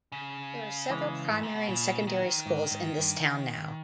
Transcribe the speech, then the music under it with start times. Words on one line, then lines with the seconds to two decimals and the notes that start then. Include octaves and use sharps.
There are several primary and secondary schools in this town now.
0.12 C#3
0.90 E3 G#3
1.30 G#2
1.43 A#2
1.55 B2
1.68 A#2 C#3
2.07 D#3
2.46 G#2
2.71 G#2
2.98 G2